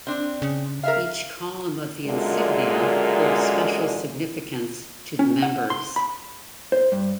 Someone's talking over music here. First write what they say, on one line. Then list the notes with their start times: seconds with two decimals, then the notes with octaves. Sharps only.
Each column of the insignia holds special significance to the members.
0.07 C4 D4
0.42 C#3
0.83 A#4 E5 F5
2.04 F#2 A#2 D3 G#3
5.19 C#4
5.42 F#5
5.70 C6
5.96 B5
6.72 C5
6.92 G2